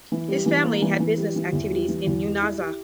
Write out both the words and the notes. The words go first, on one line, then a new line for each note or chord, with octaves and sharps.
His family had business activities in Unaizah.
E3
G3
E3
A#3
E3
E3
G3
E3
E2
G3
E3
E2
G4
E4
G4